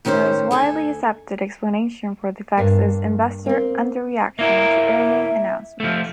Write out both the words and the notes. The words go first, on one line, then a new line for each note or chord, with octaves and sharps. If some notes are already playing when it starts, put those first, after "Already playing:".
The most widely accepted explanation for the effect is investor under-reaction to earnings announcements.
A2 D#3 C#4 G4 C5
D2 A4 G#5
G2 A#3
A#3 C4
A#3 E4 A#4 E5
F3 A3